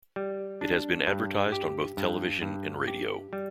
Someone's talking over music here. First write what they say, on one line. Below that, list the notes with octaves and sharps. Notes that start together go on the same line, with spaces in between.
It has been advertised on both television and radio.
G3
D4
G2
G4
G2
G2
G4
G3